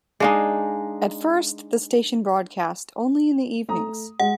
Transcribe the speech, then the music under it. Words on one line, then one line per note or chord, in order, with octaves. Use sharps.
At first, the station broadcast only in the evenings.
G#3 D4 D#4 D5 F5 G#5
A3 A#5 D#6
G#3 F#5